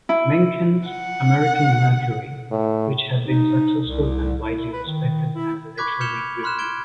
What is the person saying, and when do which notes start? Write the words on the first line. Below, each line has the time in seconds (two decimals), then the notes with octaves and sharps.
Mencken's "American Mercury", which had been successful and widely respected as a literary review.
0.09 E4
0.89 F#5
2.51 A2
3.26 D#4
3.85 C2
4.40 E4
4.72 B4
4.87 D#3
5.35 E4
5.78 B5 C#6 D6 F#6 G#6 B6
6.01 F6 G6 C#7 E7 F7 G7
6.43 B5 C6 F6 F#6 E7
6.59 G#6 D7 E7 G7